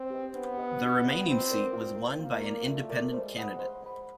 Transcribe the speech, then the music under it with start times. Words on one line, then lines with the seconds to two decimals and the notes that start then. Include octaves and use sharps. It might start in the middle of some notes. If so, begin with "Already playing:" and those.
The remaining seat was won by an independent candidate.
Already playing: C4
0.10 G4 B4 D#5
0.34 B3 D4
0.57 G4 B4 D#5
0.80 D4
1.03 G4 B4 D#5
1.26 C4 F4
1.50 A#4 D5
1.73 F4
1.96 A#4 D5
2.19 A#3 F4
2.43 A#4 D5
2.66 A3 F4
2.90 A#4 D5
3.13 G#3 C5
3.36 D#5 F#5 B5
3.59 C5
3.82 D#5 F#5 B5